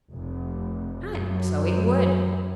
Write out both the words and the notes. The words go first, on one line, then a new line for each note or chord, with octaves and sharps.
And so it would.
F1
F#2